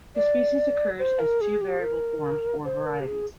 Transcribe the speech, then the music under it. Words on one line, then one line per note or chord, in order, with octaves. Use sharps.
The species occurs as two variable forms or varieties.
D5
C5
A#4
G#4
G4
A#4
C5
A#4
G4
G#4